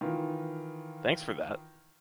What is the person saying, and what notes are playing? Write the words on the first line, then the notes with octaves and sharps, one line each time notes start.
Thanks for that!
D#3 E3 F4